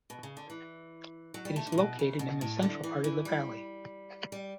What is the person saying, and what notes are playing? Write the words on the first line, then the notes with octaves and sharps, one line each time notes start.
It is located in the central part of the Valley.
B2
C#3
D3
E3
F#3
G3
A3
D3
A2
B2
C#3
B2
A2
D3
E3
E3
G3
G3